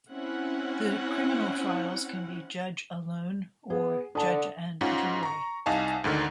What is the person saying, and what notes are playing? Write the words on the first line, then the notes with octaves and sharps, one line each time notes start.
The criminal trials can be judge alone or judge and jury.
C4 C#4 E4 F#5
B3 G#4
D3 A5 D#6
G#2 C#4 F4 F#5
A#5 C#6
C2 D#4 F5 G#5 A5
D2 G#2 D3 D#3